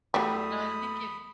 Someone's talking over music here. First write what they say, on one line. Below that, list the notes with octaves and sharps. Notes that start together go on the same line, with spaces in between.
No. I think if
E2 F#3 G3 A3 B5 D#6